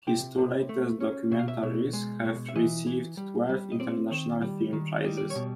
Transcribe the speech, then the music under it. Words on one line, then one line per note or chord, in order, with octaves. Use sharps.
His two latest documentaries have received twelve International Film Prizes.
C3 G5
C3
A3
C#4
B2 E5
F5
E5
B2
G#3
B2
E5
E3 D#5
E3
G3
G3
D#5
C4 D5
D#3
G3
D#3
G3 D#5
D5
C#5
B2